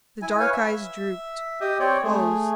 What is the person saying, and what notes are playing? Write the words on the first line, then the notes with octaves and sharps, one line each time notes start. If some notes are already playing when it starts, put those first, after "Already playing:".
The dark eyes drooped--closed.
E4 G#5
B4 C#5 F5 G#5
E5
G4 D#5 G5
C4 C#5 D5 G5
A3 G#4